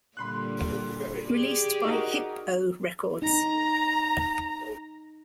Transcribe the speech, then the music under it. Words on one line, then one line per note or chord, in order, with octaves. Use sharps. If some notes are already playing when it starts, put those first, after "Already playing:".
Released by Hip-O Records.
A#2 D3 G3 B5 C6 F#6
G4 G#4 D5
D#4 F#4 A#4
D#4 A#5